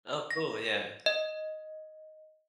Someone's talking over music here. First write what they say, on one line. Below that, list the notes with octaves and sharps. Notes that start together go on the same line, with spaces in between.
Oh cool, yeah.
A#6
D#5